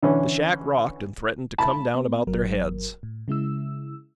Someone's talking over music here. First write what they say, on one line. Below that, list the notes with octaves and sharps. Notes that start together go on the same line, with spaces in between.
The shack rocked, and threatened to come down about their heads.
D3 E3 C#4
A5 B5
B3
G1 F#3 A#4
A2
C#3 G#3 E4 E6